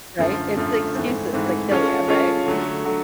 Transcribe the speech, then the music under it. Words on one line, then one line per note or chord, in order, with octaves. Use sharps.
right? It's the excuses that kill you, right?
F#2 D3 F3 A3
F#2 D3 F3 A3
G#2 E3 A3 C4
G#2 E3 A3 C4
G#3 C#4 F4 A4 C#5
G#3 C#4 F4 A4 C#5
D3 F#3 A3
D3 F#3 A3